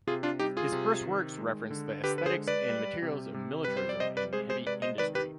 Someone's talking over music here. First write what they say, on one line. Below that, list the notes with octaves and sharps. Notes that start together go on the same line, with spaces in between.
His first works reference the aesthetics and materials of militarism and heavy industry.
C3 F4 G#4
D4 F4
G3 D#4 G4
F4 G#4
C3
D#3
G#3
D3
D3 G4 B4
B4
G#4 C5
G#3
B4 D5
G3
C3
C3
G3 B4
C5
D5
C3 C5 D#5
B4 D5
G#3 G#4 C5
G#4 C5
C3 B4 D5
C5 D#5
D#3 B4 D5
G4 B4